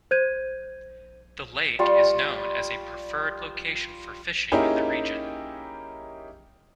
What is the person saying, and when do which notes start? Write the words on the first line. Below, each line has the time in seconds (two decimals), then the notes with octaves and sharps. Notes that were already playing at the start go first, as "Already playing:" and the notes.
The lake is known as a preferred location for fishing in the region.
0.11 C5 G6 G#6 D#7
1.79 G3 F4 G5 C#6
4.52 A#3 C#4 D#4 E4 G4 G#4